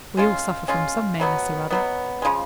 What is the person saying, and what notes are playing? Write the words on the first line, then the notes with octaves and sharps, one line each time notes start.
We all suffer from some madness or other.'
G#3 C#4 F4
G#3 C#4 F4
B2 F#3 B3
B2 F#3 B3
C#3 F3 G#3